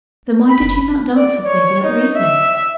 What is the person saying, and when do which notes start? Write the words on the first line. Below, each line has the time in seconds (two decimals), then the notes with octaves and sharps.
"Then why did you not dance with me the other evening?"
0.48 B5
0.61 F#1
1.16 D5
1.46 C#5
1.84 D#4
2.16 E5